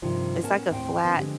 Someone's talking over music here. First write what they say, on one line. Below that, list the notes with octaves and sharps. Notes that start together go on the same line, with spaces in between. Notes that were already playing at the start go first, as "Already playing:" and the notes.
It's, like, a flat
G2 C3 D#3 F3 C4
A2 B3 C#4 A#4 E5 A5
D#2 A2 C4 F#5 G5
D#3 C4 D4 B4
D3 F3 G#3 G4